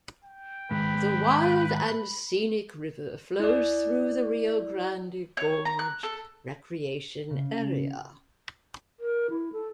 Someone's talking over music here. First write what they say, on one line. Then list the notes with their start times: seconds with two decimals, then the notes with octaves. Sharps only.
The Wild and Scenic River flows through the Rio Grande Gorge Recreation Area.
0.25 G5
0.71 G#2 D#3 G#3 B4 B5
3.40 E4 D5
5.37 C#5
5.65 A#5
5.79 F#6
6.03 A4
7.30 C#3
9.00 A#4
9.30 E4
9.53 A4